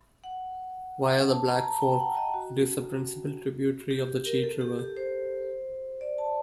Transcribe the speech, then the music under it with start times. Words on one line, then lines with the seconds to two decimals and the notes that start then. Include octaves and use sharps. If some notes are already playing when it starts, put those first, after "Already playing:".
Via the Black Fork, it is a principal tributary of the Cheat River.
0.24 F#5
1.29 A5
1.47 A#5
1.63 A5
1.75 A5
1.81 G5
1.99 F#5
2.17 D#5
2.34 F#4
3.91 G4
4.09 G4
4.26 A#4
4.43 A4
4.61 G4
4.79 G4
4.97 C5
6.01 D5
6.18 A5